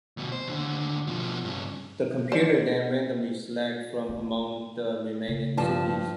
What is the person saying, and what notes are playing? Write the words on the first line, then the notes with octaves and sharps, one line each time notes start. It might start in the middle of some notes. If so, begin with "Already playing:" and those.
The computer then randomly selects from among the remaining cities.
D2 B2
C5
D#2 D3
B2 F3
G2 C#3
C5 D5
D#4
C#3
G2 F3 A5